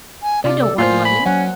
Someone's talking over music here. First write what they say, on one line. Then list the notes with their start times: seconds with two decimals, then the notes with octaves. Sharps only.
I don't want money.
0.23 G#5
0.44 C3 F4 D5
0.61 A4
0.78 A2 A#3 F4 C5 G#5
1.05 B5
1.26 F#3 C#4 F#5